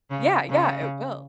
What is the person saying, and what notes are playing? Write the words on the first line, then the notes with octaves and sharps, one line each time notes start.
Yeah, yeah, it will.
C#3
C#3